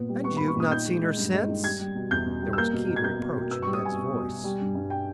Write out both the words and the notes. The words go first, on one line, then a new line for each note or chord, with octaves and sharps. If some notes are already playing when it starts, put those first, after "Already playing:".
"And you've not seen her since?" There was keen reproach in Ned's voice.
Already playing: A#2 B3
G3
B3 C#6
A#2 B5
C#6
A#2 D#6
D#3 G6
G#3
G#3
G2
G#3
D#3
G3 G#6
G3
B2
E2 G6
B2
G3
E6
A#3 G6
B2
B2
G#6
B2 G6
B2
B2
B3 E6
G3 C#6
D#6
B2 G#5
B2
B2
B2
G3
G2
G2
G5